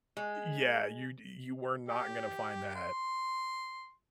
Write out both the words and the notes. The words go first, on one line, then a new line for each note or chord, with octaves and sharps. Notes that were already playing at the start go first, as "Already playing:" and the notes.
yeah, you you were not gonna find that
G#3
G4
C6